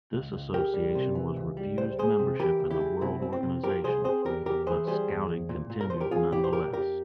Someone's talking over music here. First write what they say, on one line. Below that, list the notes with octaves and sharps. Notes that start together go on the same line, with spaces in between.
This association was refused membership in the World Organization, but Scouting continued nonetheless.
C#2
C#2
C#2 G4 A#4
G3
C3
E3
C#2
G3
C#2 C5
G#3 G#4 C5
C3
E3 G4 A#4
C#2
E4 G4
G#3
C2 C4 E4
C4
C4
C3
F3 G4 A#4
C2 G#4 C5
C4 G#4 C5
E2 G4 A#4
E2 G4 A#4
E3 G#4 C5
G3 G#4 C5
E2
E2
A#2
A#2
A#4
F3 C5
G4 A#4
C4 F4 G#4
A#2 E4 G4
C5
A#2 G4 A#4
F2 G4 A#4